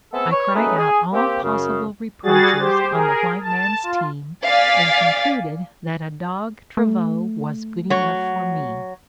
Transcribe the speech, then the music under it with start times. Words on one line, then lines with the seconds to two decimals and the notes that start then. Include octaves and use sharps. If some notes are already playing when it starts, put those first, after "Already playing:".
I cried out all possible reproaches on the white man's team and concluded that a dog-travaux was good enough for me.
0.13 A3 B3 C4 G#4 A4
0.31 B4 C#5
0.55 F#3 A3 C#4 D#4 G#4 B4
0.78 G#4
1.13 A#3 C4 G4
1.43 F#2 C#3
2.23 G3 F#4 G#4 A6
2.57 G4 C5
2.91 G#4 A#4
3.41 A5
3.83 F4
4.46 D5 F5 G#5 A6 B6
6.77 A3
7.90 F#3 C#5